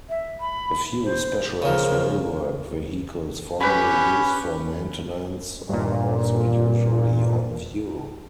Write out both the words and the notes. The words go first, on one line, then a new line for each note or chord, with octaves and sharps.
A few specialized railwork vehicles formerly used for maintenance are also usually on view.
E5
B5
C5
C#3 F3 A#4
C#4 G4 B4 B5
G2 A#2